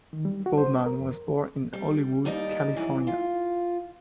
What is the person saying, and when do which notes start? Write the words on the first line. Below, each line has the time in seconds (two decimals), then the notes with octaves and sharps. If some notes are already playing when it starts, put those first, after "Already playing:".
Bowman was born in Hollywood, California.
0.13 D#3
0.25 G3
0.46 F#4
0.58 C5
0.86 A#4
0.99 F2
1.73 G3
2.25 D#2 G3 D#4 D5
2.76 F#2 E3
3.07 F4